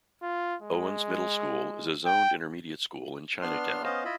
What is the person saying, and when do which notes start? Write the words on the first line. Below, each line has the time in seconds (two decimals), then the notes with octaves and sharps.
Owens Middle School is a zoned intermediate school in Chinatown.
0.22 F4
0.62 G#3
2.05 G5
3.42 B3 D4 C6 F6
3.84 B3 C#4 C5 D#5 F5
4.05 E4 F4 D#5 E5 B5